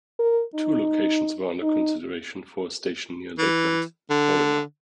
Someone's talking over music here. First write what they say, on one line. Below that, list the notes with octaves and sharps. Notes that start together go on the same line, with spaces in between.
Two locations were under consideration for a station near Lakeland, Florida.
A#4
D#4
D#4
E3
D3